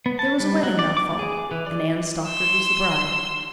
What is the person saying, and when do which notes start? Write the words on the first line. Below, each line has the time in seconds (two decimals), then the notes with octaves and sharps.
There was a wedding that fall and Anne Stockard was the bride.
0.06 B3
0.19 A5
0.40 G3
0.63 F#3
0.79 D5
0.97 D6
1.19 G#4
1.51 E3
1.67 D5
2.28 C6 E6